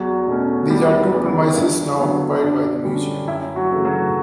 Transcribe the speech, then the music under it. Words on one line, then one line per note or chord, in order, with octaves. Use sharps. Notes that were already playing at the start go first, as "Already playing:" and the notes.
These are the premises now occupied by the museum.
Already playing: E2 F#3 F#4
B2 A3 C#4
F#4
E2 G3 G4
C#3 E3 B3
G2 E4
D3 F#3 B3
F#2 D4
D3 G3 C#4
F#2 E4
F#3 F#4
C#3 E3 A3
F#3 F#4